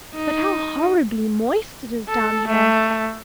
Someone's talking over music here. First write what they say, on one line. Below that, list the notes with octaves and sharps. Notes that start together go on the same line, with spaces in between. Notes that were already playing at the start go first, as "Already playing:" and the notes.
But how horribly moist it is down here!
D#4
A4
A3